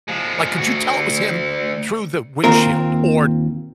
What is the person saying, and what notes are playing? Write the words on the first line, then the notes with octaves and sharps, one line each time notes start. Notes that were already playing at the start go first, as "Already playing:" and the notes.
Like, could you tell it was him through the windshield, or
F3 G#3
D2 F#4
D#2 A#2 C4 F4 A#4